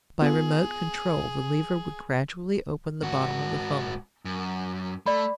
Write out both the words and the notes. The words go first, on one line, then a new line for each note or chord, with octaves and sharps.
By remote control, the lever would gradually open the bottom of the funnel.
B3 F4 G#4
G#2 F#4
F#2
A3 D5 B5